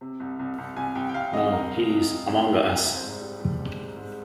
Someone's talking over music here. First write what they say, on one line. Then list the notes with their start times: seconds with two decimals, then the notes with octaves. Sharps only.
Now he is among us.
0.01 C3
0.20 C2
0.39 C2
0.58 C2
0.76 C2 G#5
0.95 C2 G5
1.09 G5
1.14 C2 F5
1.33 C2 D#5
1.52 C3 A#4
1.71 C2
1.89 C2
2.08 C2
2.28 C2
2.46 C2
2.65 C2
2.84 C2
2.95 C5
3.02 G#2 D5
3.21 G3
3.40 G3
3.59 G#2
3.78 G#2
3.96 G#2